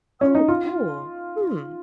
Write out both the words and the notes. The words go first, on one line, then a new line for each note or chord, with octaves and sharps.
Oh, cool. Hmm.
C#4
D#4
F4